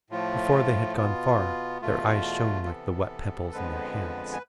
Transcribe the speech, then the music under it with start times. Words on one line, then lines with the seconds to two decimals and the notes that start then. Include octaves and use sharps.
Before they had gone far their eyes shone like the wet pebbles in their hands.
0.10 A2 F3 A3 F4
0.96 B2 B3 F4
1.82 E2 B2 A3 F4
2.66 C3 E3 B3 A4
3.52 F2 D3 F3 G#3 B3 B4
4.33 G#5